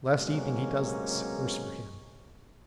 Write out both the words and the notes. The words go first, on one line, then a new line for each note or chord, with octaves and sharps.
Last evening he does this. Worse for him!
C3 F#3 G#3 A#3 B3 C#4